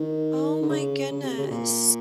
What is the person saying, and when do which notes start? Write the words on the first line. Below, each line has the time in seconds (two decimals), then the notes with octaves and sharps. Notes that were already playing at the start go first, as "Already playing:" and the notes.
Oh my goodness.
Already playing: D#3
0.62 D3
0.69 C#3
1.11 C#3
1.23 C3
1.38 C#3
1.47 B2
1.51 A#2